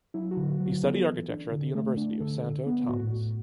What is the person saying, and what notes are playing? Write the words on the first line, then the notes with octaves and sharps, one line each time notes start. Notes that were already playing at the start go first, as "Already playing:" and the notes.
He studied architecture at the University of Santo Tomas.
F#3 E4
F#4
D3
F#4
F#3
F#4
B3 A4
E3
D4
D3
A3
D4
D3 A4
D3
B3
A2 F#4
A2